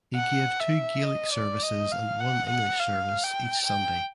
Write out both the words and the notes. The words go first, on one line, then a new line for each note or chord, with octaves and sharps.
He gave two Gaelic services and one English service each Sunday.
F#5
E5
D#5
D5
D#5
F5
F#5
F#5
F5
G5
G5